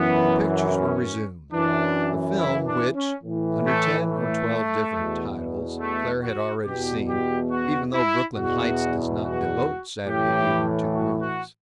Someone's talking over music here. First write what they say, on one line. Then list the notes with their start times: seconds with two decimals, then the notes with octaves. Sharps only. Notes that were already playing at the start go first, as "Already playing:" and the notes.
The pictures were resumed; the film which, under ten or twelve different titles, Claire had already seen, even though Brooklyn Heights does not devote Saturday evening to the movies.
Already playing: F#2 E3 B3
0.67 C#4
1.52 F#2 E3 D4
2.38 E4
2.66 D4
2.95 C#4
3.23 A2 E3
3.66 A3
4.09 A3
4.94 E2 B2
5.79 A3
6.23 F#4
6.65 E2 B2 G4
7.08 G4
7.51 F#4
7.93 E4
8.36 E2 B2 F#4
9.22 F#4
10.07 A2 E3 G4
10.92 F#4
11.21 F#4